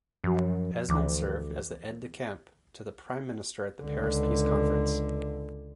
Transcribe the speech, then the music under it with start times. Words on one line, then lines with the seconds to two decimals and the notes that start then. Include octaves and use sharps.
Esmond served as Aide-de-Camp to the Prime Minister at the Paris Peace Conference.
0.24 F#2 F3 F#4
0.89 D2 E3 D6
3.82 C#2 D3